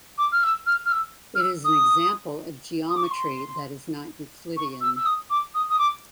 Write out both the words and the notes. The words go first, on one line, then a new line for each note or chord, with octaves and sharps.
It is an example of a geometry that is not Euclidean.
D6
F6
E6
F6
F6
E6
F6
E6
D#6
D#6
D6
C#6
C6
C#6
E6
E6
D#6
D6
D#6
D#6
D6